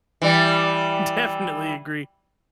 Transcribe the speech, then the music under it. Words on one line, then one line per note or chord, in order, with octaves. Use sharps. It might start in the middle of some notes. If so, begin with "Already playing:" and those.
definitely agree.
E3 G3